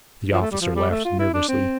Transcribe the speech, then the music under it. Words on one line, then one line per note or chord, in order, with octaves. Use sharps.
The officer laughed nervously.
F3
A3
G3
F3
G3
A3
F4
E4
D4
C4